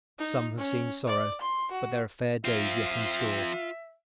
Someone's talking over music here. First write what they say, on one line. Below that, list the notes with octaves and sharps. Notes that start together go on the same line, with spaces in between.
Some have seen sorrow; but there are fair days yet in store.
D#4
C#4
D5
C6
F#4
F3 C4 F4 E5